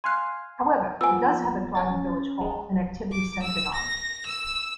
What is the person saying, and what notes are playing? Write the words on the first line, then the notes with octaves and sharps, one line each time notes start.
However, it does have a thriving village hall and activities centred on it.
F5 G#5 C6 F#6
F3 A#3 B3 G#5 E6
C#4 A6
G#3
D6
E6
A#6
E6